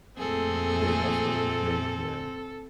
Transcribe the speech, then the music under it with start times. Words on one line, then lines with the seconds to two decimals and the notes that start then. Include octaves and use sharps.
They definitely they Yeah.
0.18 F2 A#2 A3 C4 G#4 A4